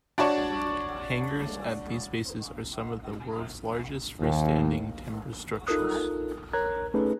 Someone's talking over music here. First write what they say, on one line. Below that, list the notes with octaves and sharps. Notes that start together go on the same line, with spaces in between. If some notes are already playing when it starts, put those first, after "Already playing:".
Hangars at these bases are some of the world's largest freestanding timber structures.
D4 F#4 C#5 D5 A5 C#6
D#2
D#4 F4 A4 A#4 D#6 F#6
A#4 C#5 A#5 F#6 G#6
A3 C#4 D#4 G#4 A4 B4